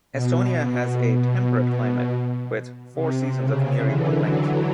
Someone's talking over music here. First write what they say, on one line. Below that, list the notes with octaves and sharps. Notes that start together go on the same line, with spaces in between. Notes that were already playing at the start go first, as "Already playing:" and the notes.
Estonia has a temperate climate, with four seasons of near-equal length.
B2
C3
C#3
D3 E3
E3 F#3